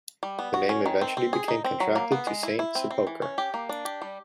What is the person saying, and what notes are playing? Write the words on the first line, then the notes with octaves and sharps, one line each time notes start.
The name eventually became contracted to Saint Sepulchre.
G3
B3
F#4
C#4
D#3
C4
C4
G#4
D#4
C4
F#3
A#3
B3
G#3
E4
E4
C4
C4
E3
C#4
G4
A#3
D4
G4
G3